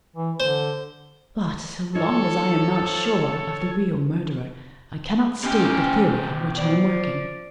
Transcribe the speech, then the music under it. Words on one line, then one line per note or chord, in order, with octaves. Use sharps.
But so long as I am not sure of the real murderer, I cannot state the theory on which I am working.
E3
D3 C5
F3 D#4 A4 C#5
B2 C#4 G4
F3 D5